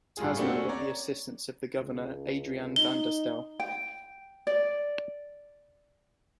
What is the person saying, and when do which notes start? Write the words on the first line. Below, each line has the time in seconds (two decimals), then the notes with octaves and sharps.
Tasman got the assistance of the governor Adriaan van der Stel.
0.17 A2 G3 F4 G#4
0.37 A3 A#3 C4 D4 F#4 G4
0.54 C#4
0.69 C#5 D5 A#5
1.79 C#2
2.76 D#4 G7
3.60 G5
4.47 D5